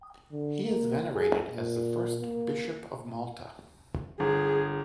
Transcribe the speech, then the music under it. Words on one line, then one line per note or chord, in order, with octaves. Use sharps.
He is venerated as the first Bishop of Malta.
D3
A#3
G#4
A#2
A#3
G1 G#4